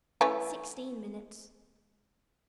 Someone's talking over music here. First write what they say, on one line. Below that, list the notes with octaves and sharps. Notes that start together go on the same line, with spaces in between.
Sixteen minutes.
E3 A3 C#4